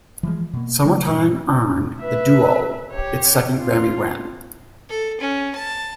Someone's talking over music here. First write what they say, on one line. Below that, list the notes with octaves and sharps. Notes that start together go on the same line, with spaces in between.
Summertime earned the duo its second Grammy win.
E3 F3 G#3
B2 A#3
C#3 F#3 A3 A#3
G2 A#2
B4 E5
G4 C#5
F4
A4
C#4
A5